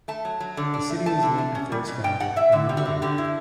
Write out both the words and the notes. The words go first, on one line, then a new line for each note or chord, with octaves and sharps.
The city was named for its founder, Henry Miller.
A3 A5
F#3
F#3
D3
D4
A3
A3 A5
D3
A3
C#4
G3
B2
B2 G5
B2 F#5
E4 E5
D3 E5
G3
F#4
D3
D3 G4
E4